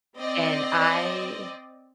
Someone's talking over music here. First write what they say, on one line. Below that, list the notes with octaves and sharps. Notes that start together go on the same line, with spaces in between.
And I
C4 D5 D#5